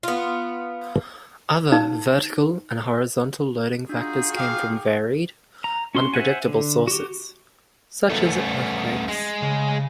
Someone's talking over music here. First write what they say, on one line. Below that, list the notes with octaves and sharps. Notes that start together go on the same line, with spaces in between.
Other vertical and horizontal loading factors come from varied, unpredictable sources, such as earthquakes.
B3 F4
D#4
D4 D#4 F4 F#4 G#4 G6
F5 G5 D6
A#5
C#4 F#4 C6
C5 E5 F#5 G#5
D3
F#4 G4
A3 B3 E4 A4 C5
C#4 C5 G#5
G#3
C#3